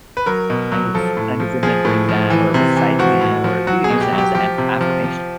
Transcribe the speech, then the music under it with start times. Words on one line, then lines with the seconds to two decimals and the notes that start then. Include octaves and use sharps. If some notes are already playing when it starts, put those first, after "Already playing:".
kind of kind of remembering that or reciting it or even use it as a an-affirmation.
0.17 B4
0.26 F#3 A#4
0.50 B2
0.72 F#3
0.95 F3 A4
1.17 A2
1.40 F3
1.63 F3 G#4
1.85 A2
2.09 F3
2.30 E3
2.54 C3
2.77 E3
2.99 F3 F#4
3.21 A2
3.44 F3
3.67 F#3 F#4
3.84 G#4
3.90 B2
4.01 G4
4.13 F#3
4.18 G4
4.35 F3 G4
4.58 C3
4.81 F3
5.04 F3